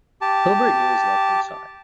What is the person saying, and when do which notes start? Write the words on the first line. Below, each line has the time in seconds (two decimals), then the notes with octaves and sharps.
Hilbert knew his luck when he saw it.
0.21 G4 A5